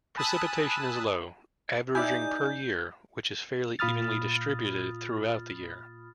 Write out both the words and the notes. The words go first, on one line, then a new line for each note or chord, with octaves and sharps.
Precipitation is low, averaging per year, which is fairly evenly distributed throughout the year.
G#5 A5 B5 D#6 E6 F#6
D#4 E4 G4 D5 E5 G#5 G6
A#2 F4 B5 D#6 F6 A6